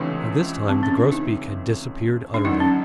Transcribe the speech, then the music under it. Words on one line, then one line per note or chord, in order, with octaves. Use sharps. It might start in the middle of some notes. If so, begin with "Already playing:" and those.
By this time the grosbeak had disappeared utterly.
Already playing: C#2 C3 E3 A3 C#4 D4
C4
C#4
D4
D#4
D4
G#1 F#2 D3 D#4
C#4